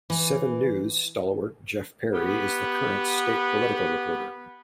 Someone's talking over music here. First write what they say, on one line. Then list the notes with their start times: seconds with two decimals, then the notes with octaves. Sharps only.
"Seven News" stalwart Geof Parry is the current state political reporter.
0.10 E3
2.14 B3 G4 B4